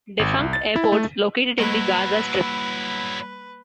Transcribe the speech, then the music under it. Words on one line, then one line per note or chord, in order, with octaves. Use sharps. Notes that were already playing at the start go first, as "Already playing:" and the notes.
Defunct airports located in the Gaza strip.
G#1
C2
A6
E4
A3
F#3 G3 A#3 E4 B4 G7